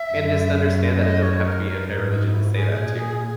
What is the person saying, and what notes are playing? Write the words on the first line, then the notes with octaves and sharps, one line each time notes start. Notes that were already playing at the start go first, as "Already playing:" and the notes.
And just understand that it doesn't have to be anti-religion to say that too.
Already playing: E5
F#2
D#5
C#5
A#4
A#4
G#2 A#4
D#4
E4
G#4
A#2